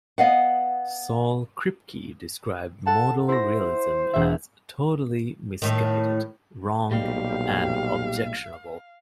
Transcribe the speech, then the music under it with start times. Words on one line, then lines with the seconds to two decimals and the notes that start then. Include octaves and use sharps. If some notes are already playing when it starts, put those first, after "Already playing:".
Saul Kripke described modal realism as "totally misguided", "wrong", and "objectionable".
0.18 B3 D#5 F5 F#5
2.87 A4 F#5 A5
3.29 E4 C5 A#6
4.13 E1 E5
5.62 A2 D#3
6.91 B1 A#2 G3 G#3 G4 F5